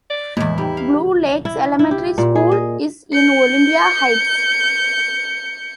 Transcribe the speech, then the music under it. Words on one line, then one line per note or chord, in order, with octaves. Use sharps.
Blue Lakes Elementary School is in Olympia Heights.
D5
E2 A2 G#3 E4 D#5
G3 D#4 G4 G5
F5
E4
E4
G4
A#2
G#4
D#5
G6 C#7